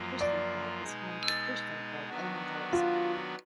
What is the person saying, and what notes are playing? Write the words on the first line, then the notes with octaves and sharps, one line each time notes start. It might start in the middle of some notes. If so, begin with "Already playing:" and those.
Crichton Park is home to Crichton Park Elementary school.
Already playing: F#2 F3 A#3 F4
D5
B2 G#3 D#4
D#3 F#3 B3 D4 F#4
F4